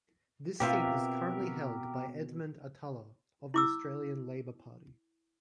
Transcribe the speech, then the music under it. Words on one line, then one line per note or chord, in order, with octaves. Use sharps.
This seat is currently held by Edmond Atalla, of the Australian Labor Party.
B2 C4 F4 G4 A#4 E5
E4 D6 E6